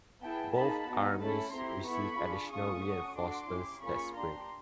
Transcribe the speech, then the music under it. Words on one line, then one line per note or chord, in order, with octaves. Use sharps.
Both armies received additional reinforcements that spring.
B3 E4 G#4 G5 A5
A#3 D#4 G#4 A5 B5
B3 D#4 F#4
A3 C#4 E4 A4 A5 B5
C4 E4 G4 A#5 C6
B3 E4 A4 B5 C#6
D4 F4 G#4
A3 C#4 F4 C#6 D#6
C#4 F#4 A4
D4 F#4 A4 C6 D6
C#4 E4 G4
A#3 C#4 F4 G#4 B5 C#6
D4 G4 A#5 C6